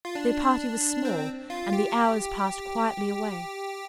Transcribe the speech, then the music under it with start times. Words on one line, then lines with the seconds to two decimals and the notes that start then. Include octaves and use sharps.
Their party was small, and the hours passed quietly away.
0.05 F4
0.15 D4
1.05 C4
1.50 F4
1.73 G4